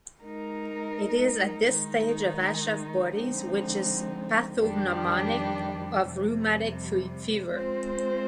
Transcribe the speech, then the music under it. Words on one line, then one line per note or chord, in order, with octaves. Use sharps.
It is at this stage of Aschoff bodies, which is pathognomonic of rheumatic fever.
G#3 D#4 A#4
D#3 G#3 D#4
D3 F3 G#3 C4 D#4
F2 D#3 G3 D4 G4
F2 C3 G3
G#3 C4 F4 C5